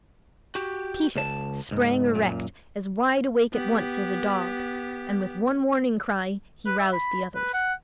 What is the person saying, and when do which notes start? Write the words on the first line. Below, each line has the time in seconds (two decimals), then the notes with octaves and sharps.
Peter sprang erect, as wide awake at once as a dog, and with one warning cry he roused the others.
0.55 F#4 G4
1.15 C#2 A5
1.71 C#2 G#2
2.15 F#2 A#2
3.53 B3 G4
6.66 B4
6.79 E5
6.93 B5
7.35 B4
7.54 F#5